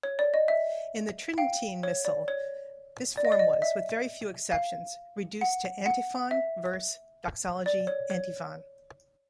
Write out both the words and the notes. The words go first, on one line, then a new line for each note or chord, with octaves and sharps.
In the Tridentine Missal, this form was, with very few exceptions, reduced to antiphon-verse-doxology-antiphon.
C#5
D5
D#5
E5
F5 G5
C#5
D5
C#5
D5
D#5
D5
D#5
E5
F5
F#5
F#5
E5
D5
C#5
C#5